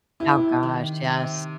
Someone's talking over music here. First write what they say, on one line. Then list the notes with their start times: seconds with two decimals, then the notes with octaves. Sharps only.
Oh, gosh, yes.
0.20 C3 E4
0.63 D#3
1.04 C3